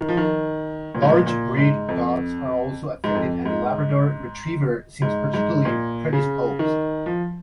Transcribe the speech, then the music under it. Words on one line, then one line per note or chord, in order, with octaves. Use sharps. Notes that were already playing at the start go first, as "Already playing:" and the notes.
Large breed dogs are also affected and the Labrador retriever seems particularly predisposed.
D#3
F3
D#3
A#2
G#2
A#2
A#2
G#2
F2
G#2
F2
G#2
G#2
G#2
A#2
C#3
D#3
F3